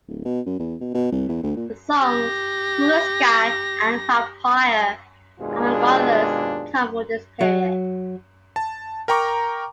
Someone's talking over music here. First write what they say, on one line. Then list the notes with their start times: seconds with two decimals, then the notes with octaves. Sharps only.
The songs "Coolest Guy" and "Vampire," among others, come from this period.
0.08 D1
0.25 B2
0.46 F#2
0.59 E2
0.81 B2
0.95 B2
1.12 C2
1.29 E2
1.43 D2
1.57 A#2
2.01 G4 A#6
5.40 D#2 B2 G#3 D4 F4 G#4
7.41 F#3
8.56 A5
9.08 A#4 G5 A#5 C#6 D6